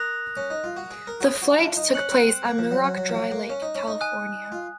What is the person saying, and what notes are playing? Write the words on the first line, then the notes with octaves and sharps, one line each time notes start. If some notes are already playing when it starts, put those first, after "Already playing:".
The flight took place at Muroc Dry Lake, California.
Already playing: A#4 D#6 F#6 A#6 F7
C#4
D#4
F4
F#4
G#4
A#4
F#4
G#4
F#4
F4
D#4
C#4 F#6 C#7 F#7
C4
C4
A#3
F3
F#3
F#3
F#3
F3
F#3
A#3
C#4
D#4
C#4
D#4
G#5 D#6 F#6
F4